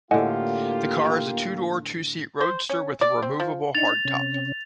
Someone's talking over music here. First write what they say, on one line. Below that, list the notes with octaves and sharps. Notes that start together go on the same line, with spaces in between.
The car is a two-door, two seat roadster with a removable hardtop.
A2 D3 A#3 F4 G4 D#5 F#5 G#5
C5
C#4
D5
C4
F3
D4 D#4 A6 F7
C3 C#4